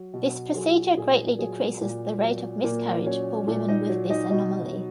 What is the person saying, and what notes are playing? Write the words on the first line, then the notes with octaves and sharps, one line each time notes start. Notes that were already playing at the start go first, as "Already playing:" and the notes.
This procedure greatly decreases the rate of miscarriage for women with this anomaly.
Already playing: F#3
B2
F#3 G#4
A#2 G#4
F#3 G#4
A#2
F#3
A#2 A#3 A#4
F#3 C#4 C#5
A#2
D#4 D#5
F#3
D#4 D#5
B2 D#4 D#5
F#3